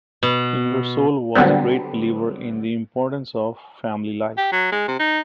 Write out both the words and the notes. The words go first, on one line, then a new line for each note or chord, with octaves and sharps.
Ingersoll was a great believer in the importance of family life.
B2
D3 F#3 G3 B3 C4
G4
F#3
G#3
C3
D#4